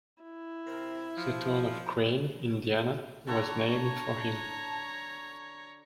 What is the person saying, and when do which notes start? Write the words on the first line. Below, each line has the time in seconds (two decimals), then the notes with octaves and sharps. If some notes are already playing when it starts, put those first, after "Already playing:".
The town of Crane, Indiana was named for him.
0.23 E4
0.67 C3 C4 A#4
1.18 F3
3.27 D3 F#4 A4 C#5 A5 A#5